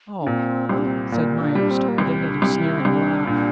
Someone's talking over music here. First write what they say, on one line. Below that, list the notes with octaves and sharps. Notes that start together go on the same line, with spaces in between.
"Oh!" said Myerst, with another sneering laugh.
D4
A#2 C4
C2 C4
D4
C4
A#2 A#3
D4
G3 D4
C4
A#3
C2 C4
C4
D4
C2
E4
C4
C2 D4
A#2 D4